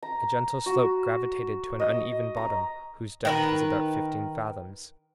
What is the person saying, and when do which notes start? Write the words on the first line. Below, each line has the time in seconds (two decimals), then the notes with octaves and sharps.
A gentle slope gravitated to an uneven bottom whose depth was about fifteen fathoms.
0.03 A#5
0.66 F#4
1.80 D#5
2.37 A#5
3.25 D#3 A#4 B4